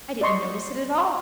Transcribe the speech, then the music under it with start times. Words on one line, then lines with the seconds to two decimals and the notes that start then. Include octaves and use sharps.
"I didn't notice it at all."
0.21 D5 D#5 C6 C#6